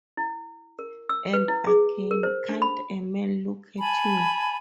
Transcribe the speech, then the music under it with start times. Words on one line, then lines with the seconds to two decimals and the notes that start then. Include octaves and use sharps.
And again, "Can't a man look at you?"
0.17 E4
0.79 A#4
1.09 E6
1.33 B4
1.48 E4
1.67 G#4
2.11 A#4
2.23 C5
2.49 D4
2.62 B5
3.79 G#5 A5 B5